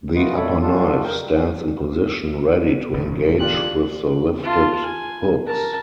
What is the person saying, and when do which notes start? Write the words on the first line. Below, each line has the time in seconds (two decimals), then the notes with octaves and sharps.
The upper knife stands in position ready to engage with the lifted hooks.
0.16 G#3 A3 F4 F#4 B4 D#5
0.36 F2 A#2 A3 A4 C#5 B5
0.62 G3 G#3 B3 D4 F4 A4
1.04 E2 A#4 G5
2.93 E1 D2 G#2
3.40 D4 F4 G4 F#6
4.43 F4 A5
4.84 G#5
5.46 A#4 A5